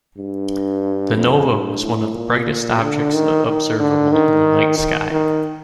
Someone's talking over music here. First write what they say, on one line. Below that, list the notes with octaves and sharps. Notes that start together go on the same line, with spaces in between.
The nova was one of the brightest objects observable in the night sky.
G2
F2
G2
A2
A#2
D3
D#3
D#3
D3
D#3
D#3
D#3